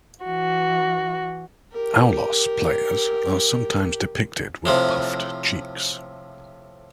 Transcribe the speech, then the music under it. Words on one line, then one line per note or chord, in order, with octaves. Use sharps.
Aulos players are sometimes depicted with puffed cheeks.
E3 F#4
G4 A#4
A2 C3 F3